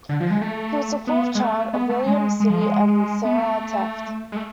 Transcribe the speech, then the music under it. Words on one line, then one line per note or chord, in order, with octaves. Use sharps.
He was the fourth child of William C. and Sarah Tefft.
D3
F3
G#3
A3
B3
G#3
A3
B3
A3
G#3
G#3
F3
G#3
B3
A3
G#3
A3